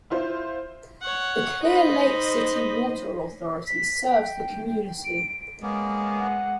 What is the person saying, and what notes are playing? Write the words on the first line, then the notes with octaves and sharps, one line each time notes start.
The Clear Lake City Water Authority serves the community.
E4 F4 C5
C#5 F#5
D#4 C5 D#5 B5
B6
G5
D7
G#3 A#3 B3 C#4
F#5